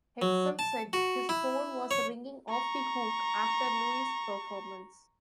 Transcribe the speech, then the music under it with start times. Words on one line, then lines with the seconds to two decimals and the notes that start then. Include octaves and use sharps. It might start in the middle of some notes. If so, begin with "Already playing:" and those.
Hexum said his phone was "ringing off the hook" after Lewis' performance.
0.22 F#3
0.59 A5
0.93 F#4
1.29 E4
1.91 C#5
2.49 A#5 C#6